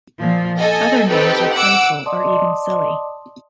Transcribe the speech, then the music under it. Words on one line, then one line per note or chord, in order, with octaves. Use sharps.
Other names are playful or even silly.
A#2 F3
A4 D#5 G#5
C4 D#4 G4 A4 B4
F#5 D6 E6
D5 D#5 A5 C6 D6 D#6